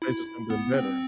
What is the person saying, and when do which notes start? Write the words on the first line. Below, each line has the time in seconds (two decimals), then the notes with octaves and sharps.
replaced with something better
0.02 E4
0.50 B3
0.74 C4